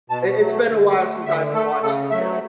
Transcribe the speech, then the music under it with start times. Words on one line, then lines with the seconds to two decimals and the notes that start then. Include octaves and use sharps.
I It's been a while since I've watched it too.
0.10 B2 A5
0.39 F#3 A3
0.67 D3
0.96 A3
1.25 D3 E5
1.53 A3 A4
1.82 C#3 A4
2.10 F#3 A3 E5